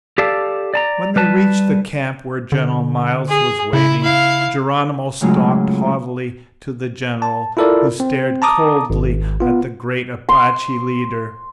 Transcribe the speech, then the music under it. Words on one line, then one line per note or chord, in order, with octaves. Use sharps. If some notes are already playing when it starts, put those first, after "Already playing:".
When they reached the camp where General Miles was waiting, Geronimo stalked haughtily to the general, who stared coldly at the great Apache leader.
G4 A4 D5 F5 A5
D5 A5 A#5
G3 B4 A5
D3
G#4
C#3 E4
E4 F5
A2 C#3 F#3 G#3 D#4 F4
A5
E4 F4 A4 A#4 D5
C4
A5 A#5 D6 D#6
G#1
B3 F4
C6